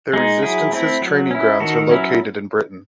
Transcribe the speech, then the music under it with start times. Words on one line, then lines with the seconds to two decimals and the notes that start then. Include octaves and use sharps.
Their Resistance's training grounds are located in Britain.
0.13 G#3 D#4
0.42 F#3 E4 G#4
0.72 A3 C4 E4
1.01 F#3
1.31 C#4 E4
1.60 D#3 F#4 A4
1.89 F#3 C#4 E4